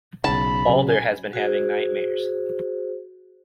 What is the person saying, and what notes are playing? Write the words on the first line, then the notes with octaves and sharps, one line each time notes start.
Baldr has been having nightmares.
B1 C#3 A5 B5
C#3 F#3
G#5
F#4 G#4 C5